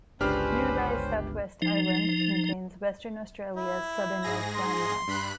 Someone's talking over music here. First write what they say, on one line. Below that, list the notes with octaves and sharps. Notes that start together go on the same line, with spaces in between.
Nearby "South West Island" contains Western Australia's southernmost landmass.
G1 C#2 C#4 D4 G4 B4 C5 F6
F3 D#4
E4
G#2 G#4 A#6
C6
G2 B5 F#6